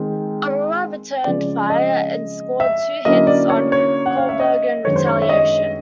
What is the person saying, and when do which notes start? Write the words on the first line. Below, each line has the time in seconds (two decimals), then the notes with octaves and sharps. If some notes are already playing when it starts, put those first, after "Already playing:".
"Aurora" returned fire and scored two hits on "Kolberg" in retaliation.
Already playing: D#3 G#3 C4
1.25 C#3 F3 G#3 C4 D5
1.70 D#5
2.60 E5
3.05 D3 F#3 A#3 C#4 E4 D#5
3.27 D5
3.50 C#5
3.72 C#5
4.06 F#5
4.18 F5
4.29 E5
4.40 D#5
4.84 F#2 D#3 G#3 B3 D4 C#5
4.96 C5
5.07 C#5
5.22 E5
5.29 D#5